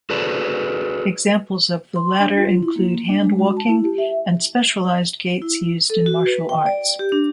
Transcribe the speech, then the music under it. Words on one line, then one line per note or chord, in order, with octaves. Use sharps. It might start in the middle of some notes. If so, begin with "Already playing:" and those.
Examples of the latter include hand walking and specialized gaits used in martial arts.
F#4 G#4 A4 B4 D5
C6
D4
F4
E4
A#3
D4
G#3
F#4
A5
E4
G4
E5
E4
A4
F#4
B4
G5
D5
G4
D4